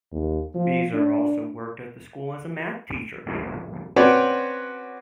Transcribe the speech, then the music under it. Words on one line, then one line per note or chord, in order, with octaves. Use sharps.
Bieser also worked at the school as a math teacher.
D#2
F3
D4
C4 C#4 F#4 B4 C#5 D5